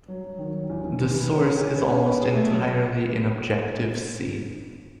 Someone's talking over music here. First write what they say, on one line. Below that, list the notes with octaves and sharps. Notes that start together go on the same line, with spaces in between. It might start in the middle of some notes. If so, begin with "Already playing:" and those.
The source is almost entirely in Objective-C.
F#3
F#3
D#3
F#3
E2
E2
D#3
B4
C#4
C#4
G#4
B4
C#4
B4
G#4
A3
F#3